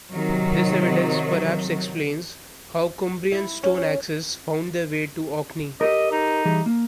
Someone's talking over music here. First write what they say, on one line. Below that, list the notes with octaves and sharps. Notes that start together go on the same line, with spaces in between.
This evidence perhaps explains how Cumbrian stone axes found their way to Orkney.
C3 D#3 F#3
E4
C#4
G4 A4 A#4 D#5
D#4
E3 G3 G#4
A#3